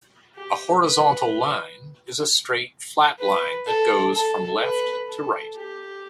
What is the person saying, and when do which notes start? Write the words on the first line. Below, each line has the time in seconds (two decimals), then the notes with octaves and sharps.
A "horizontal line" is a straight, flat line that goes from left to right.
0.36 G4
0.83 B4
3.19 B4
3.66 A4
4.13 A4
4.61 B4
5.08 A4
5.56 G4